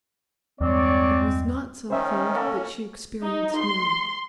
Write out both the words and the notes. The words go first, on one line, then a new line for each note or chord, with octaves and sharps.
It was not something that she experienced now.
E2 G2 G#3 C4 C#5 D5
D#3 C#4 C5 E5
A3 A#3 A4
D#4
C6